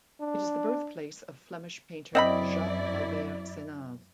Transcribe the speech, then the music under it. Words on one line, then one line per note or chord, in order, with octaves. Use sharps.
It is the birthplace of Flemish painter Jacques-Albert Senave.
D4
F#2 C4 E4 D5 D#5 F#5 B5